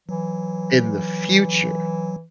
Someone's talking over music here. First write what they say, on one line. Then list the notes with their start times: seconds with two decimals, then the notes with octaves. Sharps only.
in the future
0.09 E3 F#3